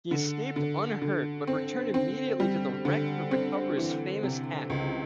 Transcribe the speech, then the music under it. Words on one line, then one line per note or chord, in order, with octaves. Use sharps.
He escaped unhurt, but returned immediately to the wreck to recover his famous hat.
D3
D3
D3
C4
C4
G3
D3
C4
E3
C3
C#2